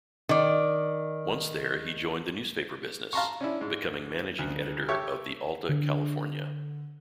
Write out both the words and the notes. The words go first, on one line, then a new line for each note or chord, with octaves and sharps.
Once there he joined the newspaper business, becoming managing editor of the "Alta California".
D#3 D5
F5 A5 A#5 C6 C#6
C#4 D4 E4
G#2
D2
G4 A4 C#5 E5
D3